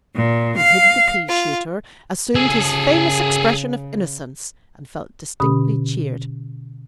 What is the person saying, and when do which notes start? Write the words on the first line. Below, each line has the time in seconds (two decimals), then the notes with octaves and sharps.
He hid the pea-shooter, assumed his famous expression of innocence, and felt distinctly cheered.
0.16 A#2
0.57 F5
1.28 F4
2.35 C#3 G#4 A4
5.40 B2 D3 C#4 G4 B5 D#6